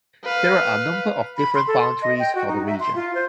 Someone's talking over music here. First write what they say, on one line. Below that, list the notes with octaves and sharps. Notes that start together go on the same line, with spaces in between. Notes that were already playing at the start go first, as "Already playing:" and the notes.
There are a number of different boundaries for the region.
B4 F5
B5
C6
A4
C6
D#5
G5
F#4
D#4
E5
C6
F4
C5